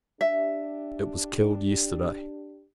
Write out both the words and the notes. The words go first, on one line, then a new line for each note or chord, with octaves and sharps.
It was killed yesterday.
D4 G4 E5